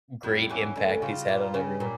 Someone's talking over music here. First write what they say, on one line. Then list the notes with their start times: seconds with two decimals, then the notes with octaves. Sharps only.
great impact he's had on everyone.
0.23 F2 F3 G3
0.49 E2 E3 C#4
0.76 D2 D3 G3
1.02 C#3 F4
1.28 A#2 G3
1.54 C#3 C#4
1.80 A#2 G3